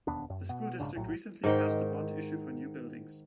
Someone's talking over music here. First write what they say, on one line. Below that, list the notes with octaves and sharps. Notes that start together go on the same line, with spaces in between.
The school district recently passed a bond issue for new buildings.
E1 D#2 B3 D4
F#2
B2 B3
A#1 G#2 C#3 D4
A#1 A2 F#3
G#2 D#3 G5